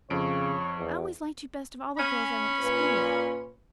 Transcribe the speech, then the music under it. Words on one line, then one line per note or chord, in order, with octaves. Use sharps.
I always liked you best of all the girls I went to school with.
F2 C#3 C#5 D7
E2
C#4 C#5 B5
A#2 B4